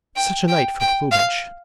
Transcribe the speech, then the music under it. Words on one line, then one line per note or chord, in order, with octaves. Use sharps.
Such a night for plumage!'
G5
G5
G5
F5